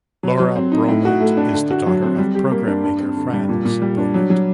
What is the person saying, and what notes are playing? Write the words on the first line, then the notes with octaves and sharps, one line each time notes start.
Laura Bromet is the daughter of program maker Frans Bromet.
F#3
F#3
C4
D#4
A2
F#4
A3
D4
D3
F#4
F#3
C4
G3
G4
A#3
D4
G2
C4
D3
G3
A#2
A#2
G3
D4
F#3
F#3